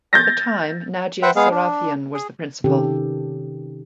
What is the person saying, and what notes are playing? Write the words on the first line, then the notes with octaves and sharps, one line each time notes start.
At the time Nadya Sarafian was the principal.
G6 A6 A#6
B4 C5 E5 F#5 G5
G#3 B3 G#4 F5
D4
G#4
C3 D#3 C#4 G4 A4